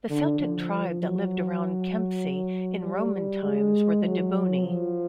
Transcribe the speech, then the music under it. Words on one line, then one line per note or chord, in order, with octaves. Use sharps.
The Celtic tribe that lived around Kempsey in Roman times were the Dobunni.
D3
F3
F#3
G3
G#3
F#3
F3